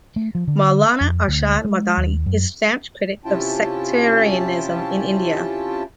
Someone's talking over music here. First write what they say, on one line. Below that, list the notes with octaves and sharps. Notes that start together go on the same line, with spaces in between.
Maulana Arshad Madani is a stanch critic of sectarianism in India.
A3
F3
D3
F2
D2
G#3
D#2
F#2
C3 C#4 E4 F4 G5 A5